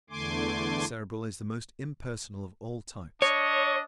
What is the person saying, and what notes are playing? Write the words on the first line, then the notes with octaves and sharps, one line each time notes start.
The Cerebral is the most impersonal of all types.
E2 D3 A3 G#5 C6 D6
D4 C#5 D#5